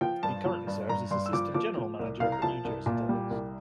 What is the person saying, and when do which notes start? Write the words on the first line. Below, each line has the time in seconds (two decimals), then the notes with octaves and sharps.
He currently serves as assistant general manager of the New Jersey Devils.
0.01 F3 G5
0.23 G2 A5
0.45 F3
0.67 G2
0.89 G2 A#5
1.11 G2 C6
1.26 E6
1.33 F3 D6
1.54 F3 D6
1.77 F3
1.99 C2
2.20 C2 F5
2.32 A#5
2.42 F3 A5
2.64 C2
2.86 A#2
3.09 G3
3.30 C2